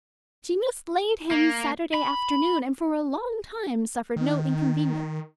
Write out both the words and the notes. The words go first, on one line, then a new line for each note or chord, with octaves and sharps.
She mislaid him Saturday afternoon--and for a long time suffered no inconvenience.
A#3
B5
D#3